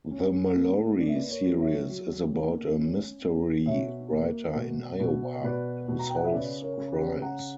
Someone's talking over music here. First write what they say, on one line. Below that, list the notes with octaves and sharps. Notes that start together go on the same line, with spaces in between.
The Mallory series is about a mystery writer in Iowa who solves crimes.
C#4
A#3
A#3 D5
E5
B4 D5
A#4 C#5
F#3
C#5 E5
F#3
A#3
C#4
C#4
B2 C#5 E5
A#3
B2
B2
B2 B4 D5
B2
A#5
G5
F#5
E5
C#3 B4 D5
A#4 C#5
C#3
G4 B4
C#3 F#5 A#5